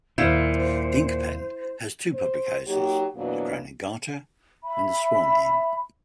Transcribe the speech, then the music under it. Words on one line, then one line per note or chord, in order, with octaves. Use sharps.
Inkpen has two public houses, the Crown and Garter and the Swan Inn.
D#2 A#2 E4 C5 F5 G6
C5
F#3 A#3 D#4 G4
F2 B2 E3 F#3 A#3 D4
E5 B5